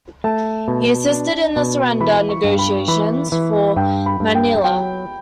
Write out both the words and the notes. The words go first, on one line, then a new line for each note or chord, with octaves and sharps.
He assisted in the surrender negotiations for Manila.
A3 A5
B2
D4
B2
E3 B5
C#6
G2
B5
E3 B5
E3
G2 G5
B5
G2
G5
F#3 G5